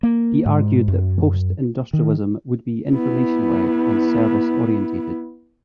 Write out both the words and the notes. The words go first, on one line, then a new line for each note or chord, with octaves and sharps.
He argued that post-industrialism would be information-led and service-oriented.
A#3
G#2
F#2
D#3
B3 E4